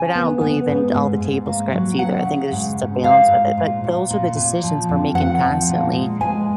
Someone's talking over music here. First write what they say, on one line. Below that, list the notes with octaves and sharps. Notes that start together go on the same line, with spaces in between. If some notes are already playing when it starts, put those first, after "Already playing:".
but I don't believe in all the table scraps either. I think there's just a balance with it. But those are the decisions we're making constantly.
Already playing: C#3 G#5
B3
B3
G#2
G#2
G#2
A#3
F#3
F#3 F#5
C#3
G#2
G#2
G#2 F5
G#2
A#2
A#2
A#2
A#2
F3
F2
F2 F#5
F3
A#2
G#3
G#3 G#5